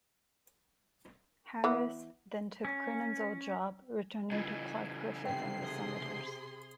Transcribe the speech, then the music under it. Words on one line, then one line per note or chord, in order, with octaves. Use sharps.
Harris then took Cronin's old job, returning to Clark Griffith and the Senators.
E3 B3
C#4
C#3 E3 D#4 F4 D#5
C3 G5 C7
G#4 C6